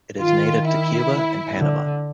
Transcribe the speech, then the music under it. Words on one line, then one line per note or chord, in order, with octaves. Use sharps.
It is native to Cuba and Panama.
D#3 F4
E4
D3